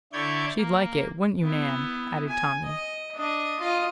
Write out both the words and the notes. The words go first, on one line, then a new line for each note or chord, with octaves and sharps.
"She'd like it; wouldn't you, Nan?" added Tommy.
D3 E4 C#5 D5 G6 G#6
A#3
B3 E4
G#5
D#5
D4 D#5
F4 D#5